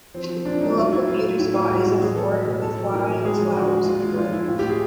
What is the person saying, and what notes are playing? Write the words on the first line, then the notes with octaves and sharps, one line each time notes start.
The local beauty spot is a ford with wild flowers and a wood.
F3 C4
F3
A#2 D4
G#3 D#4
F#3 F4
A#2 E4
A#2 F4
F#3
A2 E4
A2 F4
G3 F#4
A2
F#3 G#4
F#3 A4
F#3
B2
A2 A4
F#3
A2 A#4
F#3
G#3 G#4
F3
D3 F#4
G#3
A#2 F4
G#3 F4
F3 F4
A#2 E4
A2 F4
A2 G4
G#4